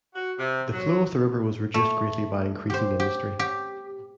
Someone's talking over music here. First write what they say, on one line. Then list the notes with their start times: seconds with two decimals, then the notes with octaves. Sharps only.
The flow of the river was reduced greatly by increasing industry.
0.14 F#4
0.37 C3
0.72 F#3
1.74 A3
2.70 G4 C5
3.00 G4
3.39 G4